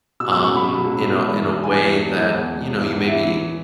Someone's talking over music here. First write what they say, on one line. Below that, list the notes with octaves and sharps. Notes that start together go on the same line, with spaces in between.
um, in a in a way that, you know, you maybe
B2 E6
E6
C#2
C#6
B2 B5
B2
C#2
B2
E1
E3
E1
E2 G#5
E3
E1
E3
E2
E1
E1
E3
E2
E3 E5
E3